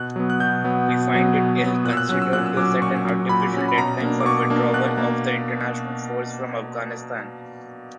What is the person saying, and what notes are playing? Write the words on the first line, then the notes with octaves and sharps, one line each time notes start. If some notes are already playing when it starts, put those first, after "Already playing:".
We find it ill-considered to set an artificial deadline for withdrawal of the international force from Afghanistan.
Already playing: B2 F#6
F#3 B3
F#6
B2 G6
F#3 B3
B2
F#3 B3
B2
F#3 B3
A#2 F#6
E6
F#6
F#3 C#4 F#6
E6
A#2 F#6
E6
F#3 C#4 D6
A#2 C#6
F#3 C#4
A#2 B5
F#3 C#4
B5
B2 A#5
A#3 D4
D6
B2 C#6
A#3 D4
B2 F#6
A#3